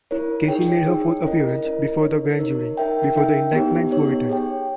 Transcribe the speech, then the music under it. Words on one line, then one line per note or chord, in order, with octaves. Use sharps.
Casey made her fourth appearance before the grand jury before the indictments were returned.
E4 A#4 C#5
D#4 G#4 C#5 G5
D#4 G#4 C#5 G5
C#4 E4 A#4 D#5
C#4 E4 A#4 D#5
D#4 A#4 C#5
D#4 A#4 C#5
D#4 A#4 E5 G5
D#4 A#4 E5 G5
B3 D#4 G4 C#5
B3 D#4 G4 C#5
G#4 C#5 G5